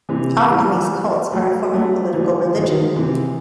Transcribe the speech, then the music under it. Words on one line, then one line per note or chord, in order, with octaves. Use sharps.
Often these cults are a form of political religion.
C3 E3
E3 G3
F#3 A3
F#3 A3
E3 G3
D#3 F#3
C3 E3